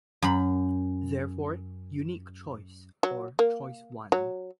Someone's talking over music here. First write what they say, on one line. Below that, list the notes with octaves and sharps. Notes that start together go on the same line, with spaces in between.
Therefore Unique Choice or Choice One.
F#2 B5
F#3
A#3
F#3